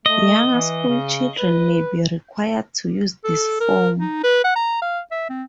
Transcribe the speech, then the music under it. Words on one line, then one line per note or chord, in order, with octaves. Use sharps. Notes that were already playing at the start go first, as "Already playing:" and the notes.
Younger school children may be required to use this form.
A3 D#5
E3
C#3
B4
A4
A#4
D#4
B4
F#5
A#5
F5
E5
C4